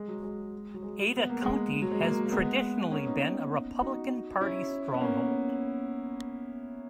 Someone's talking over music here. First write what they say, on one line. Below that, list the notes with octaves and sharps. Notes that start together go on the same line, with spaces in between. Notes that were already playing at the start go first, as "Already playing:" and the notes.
Ada County has traditionally been a Republican Party stronghold.
Already playing: G#3
F#3
G#3
F#3
G#3
B3
A#3
G#3
F#3
G#3
F#3 A#3
A#3
G#3 B3
A#3 C#4
B3 D#4
D#4 F#4
C#4 E4
B3
A#3 C#4